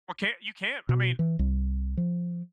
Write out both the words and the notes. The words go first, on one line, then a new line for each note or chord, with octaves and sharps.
Well, can't you can't, I mean,
B2
E3
C2
F3